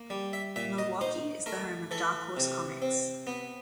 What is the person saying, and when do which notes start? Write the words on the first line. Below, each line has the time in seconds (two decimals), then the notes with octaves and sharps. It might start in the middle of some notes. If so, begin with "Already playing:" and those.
Milwaukie is the home of Dark Horse Comics.
Already playing: A#3
0.10 G3
0.33 E5
0.56 A#2 E5
0.78 D#5
1.01 D#4 C5
1.46 A3 A#4
1.91 E3 A4
2.37 C3
2.82 C4
3.27 B3